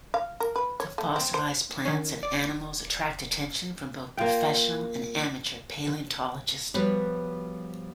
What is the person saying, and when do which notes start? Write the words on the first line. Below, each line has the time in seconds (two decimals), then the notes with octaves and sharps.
The fossilized plants and animals attract attention from both professional and amateur paleontologists.
0.14 F5
0.40 A#4
0.56 B4
0.80 C#5
0.98 A3
1.16 C4
1.34 C5
1.85 D#3 C#4
2.23 D#1 D5
4.17 A#3 F4 G5
6.74 F3 G3 B3 F#4 B4 C#5